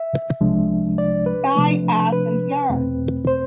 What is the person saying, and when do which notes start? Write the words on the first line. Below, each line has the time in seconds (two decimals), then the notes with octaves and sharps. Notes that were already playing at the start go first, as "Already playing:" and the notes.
Sky, Ass and yarn!
Already playing: E5
0.40 C2 C3 F3 G#3 D4
0.98 D5
1.26 B4
1.55 C3 F3 A3 D4
2.12 B4
2.70 E2 B2 A3 C4
3.27 C5